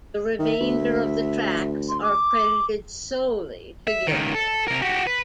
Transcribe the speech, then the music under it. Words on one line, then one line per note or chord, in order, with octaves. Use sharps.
The remainder of the tracks are credited solely to Gilmour.
D#3 E5
D2
C6
D6
E5
C#2 D#3
A4
C3 A#4
F#4 G4
B4